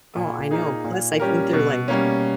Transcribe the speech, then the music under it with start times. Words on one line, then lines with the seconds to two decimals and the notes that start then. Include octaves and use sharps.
Oh, I know, plus, I think they're, like,
0.16 A#2
0.51 A#3 D#4 G#4
0.84 A#2
1.20 G3 C#4 G4 A#4
1.53 B2
1.88 G3 A#3 C#4